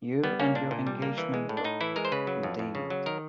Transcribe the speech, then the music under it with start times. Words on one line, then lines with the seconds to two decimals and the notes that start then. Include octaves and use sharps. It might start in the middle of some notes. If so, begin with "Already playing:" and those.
You and your engagement book, indeed.
0.24 G3 B3
0.40 A#3 C#4
0.55 A#2 D4
0.71 A#2
0.87 G3
1.02 A#3
1.18 E3
1.34 G#3
1.49 A2
1.57 D4
1.64 A2 D#4
1.81 E3 E4
1.96 G#3 A#4
2.05 C5
2.12 C#3 B4
2.27 F#3
2.43 F2
2.59 F2
2.75 C#3
2.90 F#3
3.06 D#3 A#4